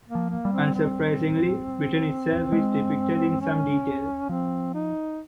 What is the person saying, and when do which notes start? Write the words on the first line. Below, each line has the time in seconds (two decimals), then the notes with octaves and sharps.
Unsurprisingly, Britain itself is depicted in some detail.
0.08 A#3
0.15 F3
0.30 A#3
0.45 G3
0.52 C4
0.75 C4
2.52 G#3
3.40 C#4
4.29 F3 C4
4.74 D#4